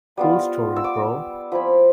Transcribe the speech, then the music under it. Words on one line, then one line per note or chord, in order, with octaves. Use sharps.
Cool story, bro!
G3 B3 F4
E6
D6
F3 C4 E4 B5